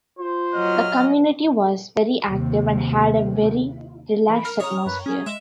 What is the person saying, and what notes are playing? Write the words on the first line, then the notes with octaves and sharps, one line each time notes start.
The community was very active, and had a very relaxed atmosphere.
F4 C5
F#3 D#5 F6
D#2 C3
E3 B5
A#4 F6
C#5 A#5 D#6
F#2 B4
C#4 G#4
G#3 E5